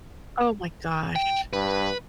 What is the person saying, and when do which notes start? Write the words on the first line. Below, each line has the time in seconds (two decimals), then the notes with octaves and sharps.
Oh, my gosh.
1.16 G5
1.53 G2 B4